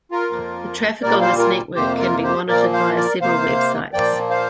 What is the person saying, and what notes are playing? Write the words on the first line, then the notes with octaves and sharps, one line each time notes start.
The traffic on this network can be monitored via several websites.
F4 A#4
F2 F3 A#3
A#2 G3 A#3 A#4 D5
C5 F5
F4 A#4
F2 C3 A#3 G4 C5
F4 A#4
G4 C5
A#2 F3 A#3 A#4 D5
C5 F5
A#4 D5
C3 A#3 C5 F5
A#2 F3 A#3 D5 G5
C5 F5